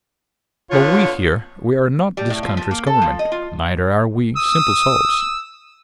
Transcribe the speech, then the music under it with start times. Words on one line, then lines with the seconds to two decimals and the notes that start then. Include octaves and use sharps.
But we here--we are not this country's Government, neither are we simple souls.
0.71 D3 B3 F4 C#5
2.17 G3
2.30 A2
2.43 F3
2.57 F3
2.71 A#3
2.86 A4
3.02 F3
3.19 D#5
3.32 F4
4.37 D#6 E6